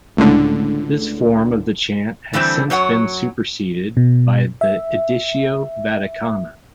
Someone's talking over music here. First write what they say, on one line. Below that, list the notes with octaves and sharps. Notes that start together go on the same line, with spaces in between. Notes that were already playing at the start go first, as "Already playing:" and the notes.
This form of the chant has since been superseded by the Editio Vaticana.
C#2 A2 D3
D3 E3 G3 A3 C4
F#2 F#3 C#5 F#5
B2
E5